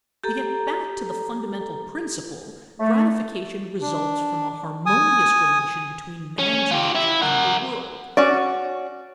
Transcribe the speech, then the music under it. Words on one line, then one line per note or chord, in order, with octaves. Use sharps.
To get back to the fundamental principle: gratification results from a harmonious relation between man's nature and the world.
G4 A4 A#5
A3
D4
G#5 D#6
C#4
F4 G4
E4 E5
A#4 F#5
C#4 F#4 D5